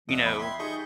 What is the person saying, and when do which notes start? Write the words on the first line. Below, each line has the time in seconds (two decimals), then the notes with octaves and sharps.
you know
0.09 E2 G#2 F3 D#5 E5 F#5
0.26 B5
0.39 C5 E5 G5 B5 C6 G#6
0.59 G3 D#4 G#4 D#5 C#6 G6